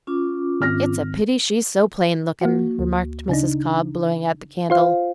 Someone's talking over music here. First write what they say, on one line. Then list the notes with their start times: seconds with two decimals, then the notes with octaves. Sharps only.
"It's a pity she's so plain looking," remarked Mrs. Cobb, blowing out the candle.
0.07 C#4 F4 D6
0.60 G#1 F6 A#6
2.41 A#3 F#4
2.79 D2
3.29 C#3 D4 D#4
4.70 F4 C5 F5